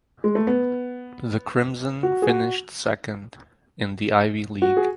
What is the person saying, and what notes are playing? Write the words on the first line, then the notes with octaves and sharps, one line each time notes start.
The Crimson finished second in the Ivy League.
G#3
A3
B3
F#4
G#4
F#4
F#4
G#4